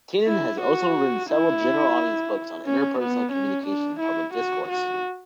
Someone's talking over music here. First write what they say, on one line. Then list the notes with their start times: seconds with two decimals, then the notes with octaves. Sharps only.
Tannen has also written several general-audience books on interpersonal communication and public discourse.
0.27 E4
0.61 F#4
1.30 E4
2.66 C#4
3.00 B3
3.33 C#4
3.67 D4
4.01 E4
4.35 F#4
4.69 F#4